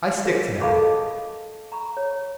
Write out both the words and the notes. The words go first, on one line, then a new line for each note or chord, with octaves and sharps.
I stick to that.
F4 F#4 G#4 A#4 C#5 D#5
A4 F5 A5 B5 C#6 D6
D#5 D#6
A#5 B5 C#6
C#5